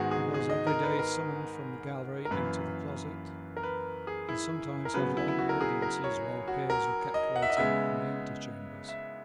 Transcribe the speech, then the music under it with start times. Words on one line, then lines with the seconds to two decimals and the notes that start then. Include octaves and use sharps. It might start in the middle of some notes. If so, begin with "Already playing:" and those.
He was every day summoned from the gallery into the closet, and sometimes had long audiences while peers were kept waiting in the antechambers.
Already playing: G#2 D#3 G#3 B3 F#4 G#4
0.11 G#4
0.34 G#4
0.50 D#5
0.67 A#4
0.83 B4
0.99 A#4
2.25 A#4
2.31 F#2 E3 A#3 B4
3.57 A#4
3.63 B4
4.07 G#4
4.29 E4
4.85 A#4
4.94 C#3 F#3 B3 B4
5.17 E4
5.28 E4
5.39 F#4
5.49 A#4
5.61 G#4
5.82 A#4
6.04 C#5
6.48 F#4
6.70 A#4
7.14 D#5
7.36 F#5
7.42 E5
7.50 D#5
7.57 C#3 G#3 B3 E5
8.89 E5